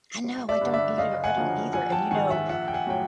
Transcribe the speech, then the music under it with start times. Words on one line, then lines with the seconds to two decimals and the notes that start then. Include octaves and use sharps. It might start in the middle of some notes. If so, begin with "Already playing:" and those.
I know, I don't either, I don't either and, you know,
0.24 G#1
0.49 D5 E5
0.61 G2 D3
0.74 D5 E5
0.98 F#1 D#5 F5
1.24 F#5 G#5
1.37 F#2 D3 F3
1.73 A#1 F#5 G#5
1.92 G5 A5
2.11 G#2 D#3 F#5 G#5
2.30 E5 F#5
2.48 A#1 E5 F#5
2.68 G5
2.73 F#5 G#5
2.87 A2 F#3 G5